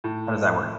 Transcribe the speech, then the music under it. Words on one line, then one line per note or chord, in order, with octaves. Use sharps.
How does that work?
A2